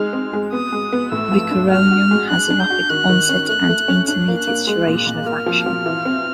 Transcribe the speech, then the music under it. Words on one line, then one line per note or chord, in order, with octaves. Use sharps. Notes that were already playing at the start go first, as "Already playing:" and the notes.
Rocuronium has a rapid onset and intermediate duration of action.
Already playing: G#3 D#4 F6
C4
G#3
B3 D#6
G#3
B3
A2 E6
F3
D4
F#4 F6
F#4
G#3
D4 F#6
D4
G6
F#4
D#3 F#6
D#3
C#4
A3 F#6
A3
C#4
D4 F#6
A#3
F#6
A#3
G#3 F#6
A#2
F#6
A#2
A#3 F6
F3
F3
E3
C4